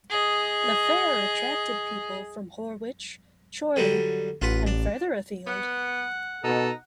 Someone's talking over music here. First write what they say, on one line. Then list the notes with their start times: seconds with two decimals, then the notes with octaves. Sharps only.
The fair attracted people from Horwich, Chorley and further afield.
0.10 G#4 D#5
3.76 D3 F#3 G3
4.42 A1 F4 B4 F#5
4.67 D4
5.46 B3 F#5
6.44 B2 D#4 A4